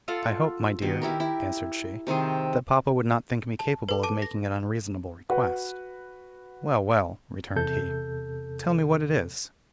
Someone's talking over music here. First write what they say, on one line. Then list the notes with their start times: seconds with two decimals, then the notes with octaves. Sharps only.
"I hope, my dear," answered she, "that papa would not think me capable of making an unreasonable request." "Well, well," returned he; "tell me what it is."
0.08 F4 A4 F5 F#5
0.82 B2 D#3
1.02 D#3 E4 G4 A#4
1.20 E4
2.07 C3 D#3 C4 G#4
3.59 A5
3.89 A4 B4
4.03 A5 D6 D#7
4.22 A#6
5.29 F#4 B4 F#5
7.56 E2 C3 A4 G6